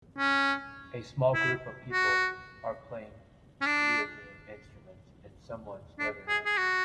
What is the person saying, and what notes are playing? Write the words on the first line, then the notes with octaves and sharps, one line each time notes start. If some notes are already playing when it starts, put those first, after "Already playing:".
A small group of people are playing video game instruments in someone 's living room.
C#4
E4
F#4
C#4
D4
D4
G#4
G#4
F#4